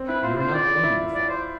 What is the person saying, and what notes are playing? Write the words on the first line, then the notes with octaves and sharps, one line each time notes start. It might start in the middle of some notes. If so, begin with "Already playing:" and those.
And you are not alone in your fault.
Already playing: C4
E4 B4
F4 C5
C5
D5
E4
D5
C5